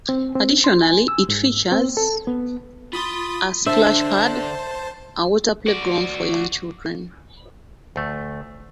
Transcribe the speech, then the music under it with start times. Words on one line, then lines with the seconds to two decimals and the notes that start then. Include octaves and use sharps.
Additionally it features a "splash pad", a water playground for young children.
0.09 C4
0.35 C4
0.64 C6
0.82 G#5
1.08 E6
1.29 G#2
1.72 C4
1.97 A4
2.27 B3
2.93 F4 B5 C6 D#6 A6
3.66 D3 D4 C5 E5 A5
5.68 F#4 D5
7.96 D2 A3